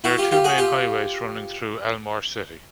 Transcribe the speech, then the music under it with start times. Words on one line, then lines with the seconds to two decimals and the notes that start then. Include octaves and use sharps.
There are two main highways running through Elmore City.
0.04 E4 F#4
0.18 F4 G4
0.31 F4 G4
0.44 F#4 G#4
0.58 F4 G4